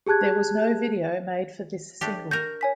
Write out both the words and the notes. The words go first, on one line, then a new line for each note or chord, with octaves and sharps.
There was no video made for this single.
G4 G#4 A5 F#6 G#6
A3 D4 G4
F#4 A#4 G6 A#6
C#5 G#5 B6